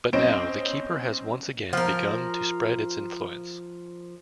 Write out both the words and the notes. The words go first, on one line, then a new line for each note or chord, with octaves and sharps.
But now, the Keeper has once again begun to spread its influence.
B1 C4 C#4 C5 D#5 D7
F3 A#4